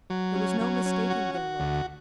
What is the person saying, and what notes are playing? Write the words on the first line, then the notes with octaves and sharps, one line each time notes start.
There was no mistaking their look.
F#3
C#4
F#3
C#4
F#4
F#4
D2